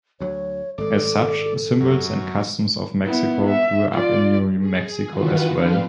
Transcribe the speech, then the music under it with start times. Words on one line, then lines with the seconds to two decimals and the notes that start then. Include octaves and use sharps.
As such, symbols and customs of Mexico grew up in New Mexico as well.
0.20 D2 F#3 C#5
0.78 G#1 G#3 A4 D5
1.80 F#2
3.04 B3 E4
3.50 E5
3.92 F4 D5
4.59 G#4
5.09 D#3 E3 F4 F#4 B4
5.53 F3 C4 D4 B4 F5